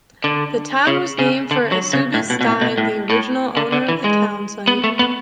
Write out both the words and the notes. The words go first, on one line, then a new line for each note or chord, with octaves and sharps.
The town was named for Eusebius Stine, the original owner of the town site.
D3
C#3
C#3
D3
F#3
C#3
A2
B2
B2
A2
B2
A2
A2
D3
D3
E3
G#3
B3
A3
B3